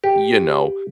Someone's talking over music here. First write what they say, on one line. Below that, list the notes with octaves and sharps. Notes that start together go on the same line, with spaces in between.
you know,
G4